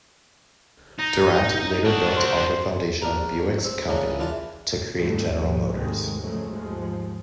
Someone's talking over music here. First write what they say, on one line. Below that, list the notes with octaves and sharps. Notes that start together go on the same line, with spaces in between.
Durant later built on the foundation of Buick's company to create General Motors.
D#4
D4 F#4
C5
A#1 D4 A#4 A#5
A#1
C4
C#3 E3 A#3 C#4 D4
E3 D4 F4
D#2 G#2 D3 G3 A3
A#1 G#2 B2 F3
D#2 G#2 C3 D#3 G#3 A3
F#2 C#3 F3 F#3 G#3 A3
D#2 G#2 F3 G#3